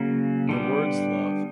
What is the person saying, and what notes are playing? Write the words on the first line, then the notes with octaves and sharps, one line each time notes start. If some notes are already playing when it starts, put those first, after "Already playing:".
The words Love.
Already playing: C#3 F#3 A#3 C#4
D3 G3 B3